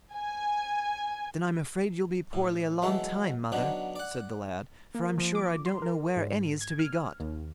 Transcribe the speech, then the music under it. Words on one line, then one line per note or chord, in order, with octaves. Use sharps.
'Then I'm afraid you'll be poorly a long time, mother', said the lad, 'for I'm sure I don't know where any is to be got.'
G#5
A2
E3 F#3 G#3 A3 A4
D3 F#3 B3 D4 D#4
D5 F#5
A#3
F3
D6
C6
A#4
G#2
G#6
F6
D#2